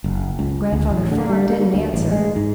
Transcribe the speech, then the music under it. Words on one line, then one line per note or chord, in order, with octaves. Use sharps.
Grandfather Frog didn't answer.
F#1
C#2
D2
A1
D3
G3
A#3
D2
A1
G#3
G#2